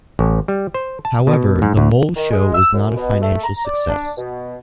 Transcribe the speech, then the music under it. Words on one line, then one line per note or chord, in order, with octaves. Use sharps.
However, the Mole Show was not a financial success.
A1
G3
C5
A5
B2
G#2
D2
D#3
G#3
E6
F#2
B2
A3
A#5
D5
D4
B2